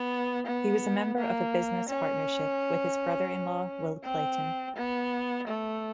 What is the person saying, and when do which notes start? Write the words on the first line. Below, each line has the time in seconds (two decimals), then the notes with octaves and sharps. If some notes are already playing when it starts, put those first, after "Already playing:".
He was a member of a business partnership with his brother-in-law Will Clayton.
Already playing: B3
0.47 B3
1.18 A#3
1.89 C#4
4.04 C4
4.76 B3
5.47 A3